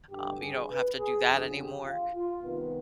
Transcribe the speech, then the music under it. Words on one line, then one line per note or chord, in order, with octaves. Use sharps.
um, you don't have to do that anymore.
G2 D3 G4
G#4
B4
G#4
F2 D3 G#4
G4
F4
F4
C2 C3 D#3 B3